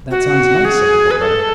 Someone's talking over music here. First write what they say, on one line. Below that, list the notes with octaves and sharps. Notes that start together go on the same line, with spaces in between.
"That sounds nice," said the Poor Brother.
F#4
G#4
B4
A4